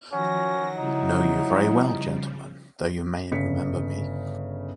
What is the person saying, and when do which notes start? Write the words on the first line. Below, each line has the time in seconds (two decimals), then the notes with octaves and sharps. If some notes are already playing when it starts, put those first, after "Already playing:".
Know you very well, gentlemen, though you mayn’t remember me.
0.13 D#3 F3 F#3 C#4 F#4 A#6
0.77 C#3 F3 G3 D#4 E4
3.31 G1 C#3 B6 C#7